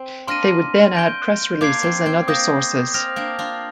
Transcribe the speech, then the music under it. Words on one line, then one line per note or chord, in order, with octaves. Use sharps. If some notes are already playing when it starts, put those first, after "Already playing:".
They would then add press releases and other sources.
Already playing: C4
A#3 D4 C6 F6 A#6 D#7
G6 D7 G7
A#3 D4 D6 G#6 C7
C4
C4
A#3 D#6 G6 A#6
C4 F6 A#6 F7
A#3 D4
D4 F4